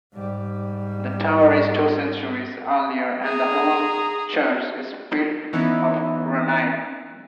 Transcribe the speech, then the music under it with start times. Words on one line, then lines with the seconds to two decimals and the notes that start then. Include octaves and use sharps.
The tower is two centuries earlier and the whole church is built of granite.
0.13 G#2 G3
3.24 G#4 A#5
5.53 E3 B3 C#4 D#4 E4